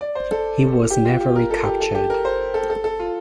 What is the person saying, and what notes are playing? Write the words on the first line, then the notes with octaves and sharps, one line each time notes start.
He was never recaptured.
D5
C5
A4
G4
F4
G4
A#4
A4
G4
A4
G4
A#4
C5
A4
A4
A4
F4